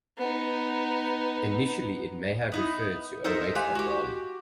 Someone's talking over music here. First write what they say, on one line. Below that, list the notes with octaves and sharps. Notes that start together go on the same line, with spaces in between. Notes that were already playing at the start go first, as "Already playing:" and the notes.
Initially, it may have referred to a weight of barley.
B3 D#4
B3 D#4 E4
D#4 A4 A#4 C5 D#5 E5
G#3 G4 E5 F5 G#5
F#4 G4